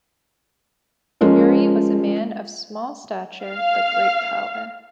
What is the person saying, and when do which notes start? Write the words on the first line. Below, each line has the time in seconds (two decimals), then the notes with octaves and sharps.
Urey was a man of small stature but great power.
1.21 F3 G#3 C#4 A#4
3.44 F5